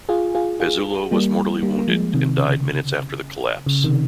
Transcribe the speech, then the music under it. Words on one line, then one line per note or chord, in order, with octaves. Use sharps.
Pezzulo was mortally wounded and died minutes after the collapse.
F4 G#4
F4 G#4
F4 G#4
G3 A#3
G3 A#3
A#3
F3 G#3
C3 D#3
C#3
C#3
C3 D#3